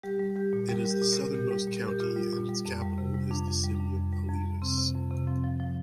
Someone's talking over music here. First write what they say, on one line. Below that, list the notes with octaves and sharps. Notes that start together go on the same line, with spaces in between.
It is the southernmost county, and its capital is the city of Alytus.
G3 G4
G3
G3 G4
A#2
G3 A#4
G3
G4
A#2
A#4
A#2
A#2 G4
G3
A#2
A#4
A#2
G4
A#2 F4
G3
A#2
G3
F2
G3
C3
G3
F2 D4
F2
G3
D4
F2
F2
G3
F2
F2
C3 C4
C3
F2
C3
F3 C4
F3
F3